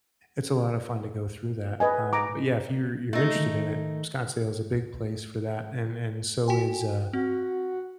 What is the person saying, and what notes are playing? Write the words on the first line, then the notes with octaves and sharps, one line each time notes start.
it's a lot of fun to go through that, um, but yeah, if you're you're interested in it, Scottsdale is a big place for that and and so is, uh,
B4 D#5 G#5
A#5 D6
A3 D#4
D#3
F#4 G5 G#5
C4 F#4